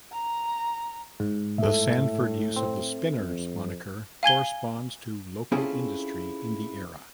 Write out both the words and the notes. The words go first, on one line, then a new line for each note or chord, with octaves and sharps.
The Sanford use of the "Spinners" moniker corresponds to local industry in the era.
A#5
G#2
A2 A4 E5
C4
F2
F5 G#5 G#6 G7
C4 C#4 E4 F4 G#4 A4